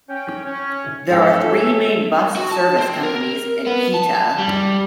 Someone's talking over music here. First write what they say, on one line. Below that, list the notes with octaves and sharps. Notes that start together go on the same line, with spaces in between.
There are three main bus service companies in Hita.
C#4 G5
C#4
G#2 C#4 A4 E5 F5 G5
A3
F#4
A5
C4
A#4
B3
A5
G3